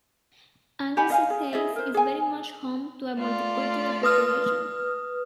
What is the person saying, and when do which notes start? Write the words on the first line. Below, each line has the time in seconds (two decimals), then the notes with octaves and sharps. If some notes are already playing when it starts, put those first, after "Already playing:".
Anglesey is very much home to a multicultural population.
0.97 G4 F#5 G#5 B5
1.10 D#5 F5 G#5
1.30 G#4
1.53 E4 G#4 D#5 E5
1.76 A#4 C5
1.94 G#4 G#5
3.16 A3 F4 D5
4.03 B4 D#6 F6